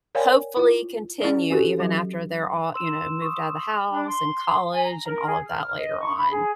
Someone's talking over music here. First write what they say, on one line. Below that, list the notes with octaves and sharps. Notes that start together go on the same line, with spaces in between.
hopefully continue even after they're all, you know, moved out of the house and college and all of that later on.
A#4 C#5 D5 F5 G5 G#5
E4 F4
C#4 E4 G#4 D5
C4 F#4 G4 A4
F#3
C6 E6 E7
C#6 D#6
D4
C6
G#5
A#5
A#4
G#4
F6
D#5
C#6
B5
G#4